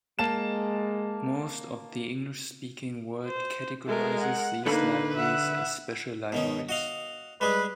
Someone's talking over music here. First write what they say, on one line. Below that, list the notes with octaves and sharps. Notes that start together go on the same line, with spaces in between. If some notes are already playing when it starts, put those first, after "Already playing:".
Most of the English speaking world categorizes these libraries as special libraries.
G#3 A#3 A5 E7
C5
G#3 A3 A#4
F#5
D3 A#3 D#4 A4 B4 B5
E5 F#5
B2 D#3 C#4
F#4 D#5 F5
G3 G#3 G#4 B4